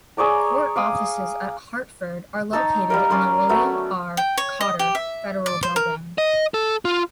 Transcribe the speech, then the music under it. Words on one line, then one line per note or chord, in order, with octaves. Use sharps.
Court offices at Hartford are located in the William R. Cotter Federal Building.
G#4 C#5 D5 A#5
F5 D6 D#6
D#4 C#5 A5 E6
G3 A#3 A#4
C#4 D5 C6 D#6
F#3 A3 B3
G5
C#5
D#5
G4
E5
D5
C5
A#4
D#5
A4
F4